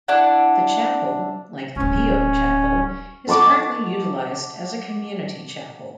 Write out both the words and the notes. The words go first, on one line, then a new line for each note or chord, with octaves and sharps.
The chapel, like the Pio chapel, is currently utilized as a community chapel.
D4 E4 F#5
D1 G#3 C#4
F#5 A5 C#6 D6